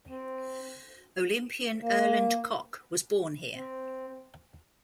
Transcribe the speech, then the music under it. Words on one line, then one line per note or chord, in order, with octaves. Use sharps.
Olympian Erland Koch was born here.
C4
A#3
C4